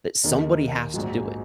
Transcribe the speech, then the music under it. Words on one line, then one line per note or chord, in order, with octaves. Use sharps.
that somebody has to do it.
D#2 D#3 A#3 D#4
A#1 G#2 F#3